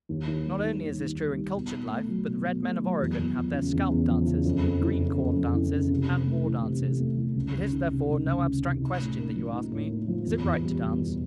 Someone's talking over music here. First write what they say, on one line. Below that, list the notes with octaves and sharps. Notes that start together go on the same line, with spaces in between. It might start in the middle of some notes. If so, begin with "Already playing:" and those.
Not only is this true in cultured life, but the red men of Oregon have their scalp dances, and green-corn dances, and war dances. It is, therefore, no abstract question that you ask me--Is it right to dance?
D#2
D#2
G3
D#3
D#2
D#2
G3
D#3
B2
B2
A3
F#3
B2
B2
A3
F#3
E2
E2
F3
C#3
E2
E2
F3
C#3
F2
F2
E3
C#3
F2
F2
E3
C#3
C3
C3
A3
E3
C3
C3
A3
E3
C#2
C#2
D#3
C3
C#2
C#2
D#3
C3
D#4
A2
A#3
F3
D#4
A2
A#3
F3
E2
E2
G3
B2
E2